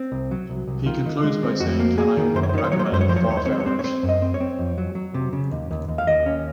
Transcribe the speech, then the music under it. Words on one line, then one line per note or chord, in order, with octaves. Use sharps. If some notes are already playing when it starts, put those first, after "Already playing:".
He concludes by saying Can I recommend The Farfarers?
Already playing: C4
C2
F#3
C2
C2
D#3 F4
D#3
G#3
C4
F2 F#4
A#3
A#3 G#4
D#3
F#2 C5
C#5
C5
D#3 C#5
C5
F#3 C#5
C5
C#5
F#2 C5
C#5
F3 C5
C#5
C5
D#2 C#5
C5
C4 C#5
C5
C#5
C4 C5
C#5
C4 C5
F#2
D#5
C4
C#5
C4
F2
F#3
F#3
C3
C#3
D#2
D#2
D#2
F5
D#2 D#5
C#4